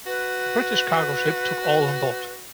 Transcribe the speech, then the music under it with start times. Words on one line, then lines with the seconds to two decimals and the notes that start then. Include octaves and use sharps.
The British cargo ship took all on board.
0.06 F#4 B4